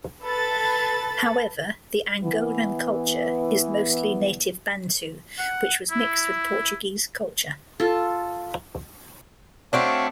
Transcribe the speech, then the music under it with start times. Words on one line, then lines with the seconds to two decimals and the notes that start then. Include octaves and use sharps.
However, the Angolan culture is mostly native Bantu which was mixed with Portuguese culture.
0.24 A4 B4 A6
2.23 E3 B3
5.39 F#5
5.91 E4
7.80 F4 A4
9.73 A3 C4 D4 F#4 C#5 F5